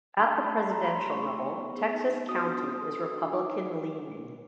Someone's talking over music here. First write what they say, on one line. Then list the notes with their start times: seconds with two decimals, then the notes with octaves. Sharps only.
At the presidential level, Texas County is Republican-leaning.
0.19 D4 A5
0.32 A3 A5
0.44 B5
0.54 A3 C6
0.71 G4 A#5
0.84 D4 B5
0.97 C6
1.07 A3 C#6
1.23 D#4 C#6
1.41 B3
1.58 B3
1.76 G#4
1.94 D#4
2.11 B3
2.28 F#4 D#6
2.46 D4
2.64 D4
2.81 A4
2.99 F#4
3.16 D4
3.34 D#4 D6